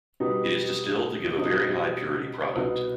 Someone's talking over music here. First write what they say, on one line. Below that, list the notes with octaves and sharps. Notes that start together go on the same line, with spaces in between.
It is distilled to give a very high-purity product.
B2 G3 B3 D#4
B2 G3 C4 D#4
C2 B2 B3 D#4